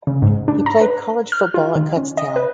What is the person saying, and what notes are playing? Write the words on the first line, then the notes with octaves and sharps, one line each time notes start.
He played college football at Kutztown.
C#3
G#2
D4
A#5
B4
F6
F4
D#3
C#4
D#5
B4